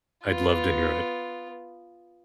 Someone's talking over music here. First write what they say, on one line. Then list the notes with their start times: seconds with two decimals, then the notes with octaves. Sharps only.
I'd love to hear it.
0.24 B3 F4